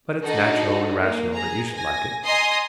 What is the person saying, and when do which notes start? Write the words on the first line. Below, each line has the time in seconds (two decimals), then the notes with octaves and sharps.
But it's natural and rational that you should like it.
0.23 D4 D#4 F#4 A4
1.01 A#3
1.33 G#4 A#5
1.76 G#5 A#6
2.24 D#5 G#5 A#5 C6 D#6